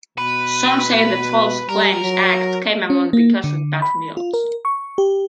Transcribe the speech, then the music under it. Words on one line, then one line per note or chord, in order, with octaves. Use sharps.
Some say the False Claims Act came about because of bad mules.
B2 B4
G3 A#4
F#3
C#4
A#3
D3
B5
F4
A#4
C#6
G4